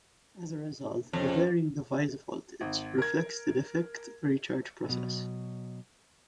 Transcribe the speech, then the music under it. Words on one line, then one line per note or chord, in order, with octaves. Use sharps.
As a result, the varying device voltage reflects the defect recharge process.
F2 C#4
G#1
A#4 G#6
B2 F#3